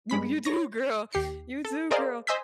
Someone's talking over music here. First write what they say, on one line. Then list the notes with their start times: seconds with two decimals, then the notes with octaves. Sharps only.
You d you do, girl. You do, girl.
0.10 G2 G#3 B5 B6
0.45 C#5 A#6
1.13 D#2 G4 C7 C#7
1.65 A4
1.91 G#4 A#4 C5 D5 D#5 F5
2.27 C5 D#5 G#5 E6 G6 B6